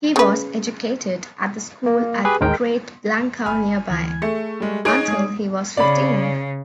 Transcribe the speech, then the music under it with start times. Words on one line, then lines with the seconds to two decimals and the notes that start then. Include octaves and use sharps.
He was educated at the school at Great Blencow nearby, until he was fifteen.
0.16 C#3 B4
1.86 A#3
2.25 G4 G#4 B4
2.41 A1 D#2 D#3 G#3 A#4 G5
3.46 G1 G#5 B5 F6
3.89 D2 E3 G#6
4.22 A3 G#4 E5 C#6
4.60 G3 G#3
4.85 D#4 G#4 C#5 D6 D#6 F#6 D7
5.08 G#3 D#6 G#6
5.77 C#3 D5 B5